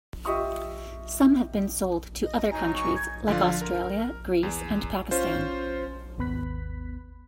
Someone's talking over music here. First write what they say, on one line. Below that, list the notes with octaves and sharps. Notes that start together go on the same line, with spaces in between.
Some have been sold to other countries like Australia, Greece, and Pakistan.
F4 G4 D#5 E5 C#6 D#6
D#5
F#3 D#4 G#5 A#5
C#6
G#6
D3 F3 F4
A#4
E2
C#4 F4 C5
G#1 D#2 B3 B5 F#6 B6